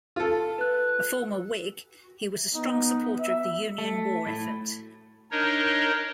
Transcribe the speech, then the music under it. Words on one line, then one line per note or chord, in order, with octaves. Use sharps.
A former Whig, he was a strong supporter of the Union war effort.
F4 A4
B4 F#6
B3 D#4
E5
A3
A2
D4 D#4 A#4 C#5 D#5